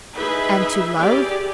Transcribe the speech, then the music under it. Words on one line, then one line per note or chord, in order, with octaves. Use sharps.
"And to love."
D#4 E4 G#4 B4 E5 B5
G4 G#4 D5